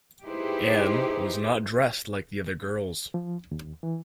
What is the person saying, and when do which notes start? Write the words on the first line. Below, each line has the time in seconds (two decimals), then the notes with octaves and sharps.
Anne was not dressed like the other girls!
0.25 D#4 E4 G4 G#4 B4 C5
3.14 F3
3.51 D#2
3.83 E3